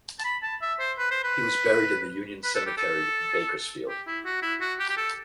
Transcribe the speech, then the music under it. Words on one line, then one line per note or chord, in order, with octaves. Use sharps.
He was buried in the Union Cemetery in Bakersfield.
A5
B5
A5
E5
C5
B4
C5
B4
B4
A4
G4
A4
G4
E4
F#4
E4
F#4
G4
G4
A4